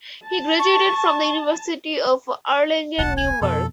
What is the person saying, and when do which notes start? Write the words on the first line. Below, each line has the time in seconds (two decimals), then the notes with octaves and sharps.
He graduated from the University of Erlangen–Nuremberg.
0.25 A5
0.59 C#6
2.98 D#1 B1 F#5 A5
3.17 G#5
3.42 F2 B2 A4